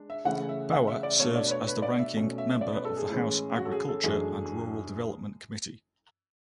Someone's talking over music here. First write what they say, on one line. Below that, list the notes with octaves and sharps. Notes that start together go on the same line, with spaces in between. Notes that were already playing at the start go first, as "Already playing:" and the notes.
Bauer serves as the ranking member of the House Agriculture and Rural Development Committee.
Already playing: G#3 D4
E5
C#3 E3 A3 C#4 F#5
E5
F#5
E5
D5
B2 A3 D4 C#5
D5
B4
C#5
B4
D5
E5
B2 A3 C#4
E5
D5
B4
A4
G#4
A2 E3 G#3 C#4
F#4
A4
G#4
A4
F#2 E3 A3 D4 G#4